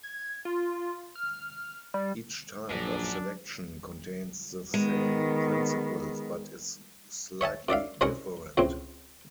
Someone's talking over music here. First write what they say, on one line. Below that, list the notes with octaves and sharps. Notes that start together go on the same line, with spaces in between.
Each type of selection contains the same principles, but is slightly different.
G#6
F4
F6
G3
A#1 F#2 F#3 D4
D#3 G#3 B3
C#5 E5 G#5 A5
F#2 D5 E5 F5
C2 F#2 G#3 A#4 C#5 G#5
C#2 A2 C4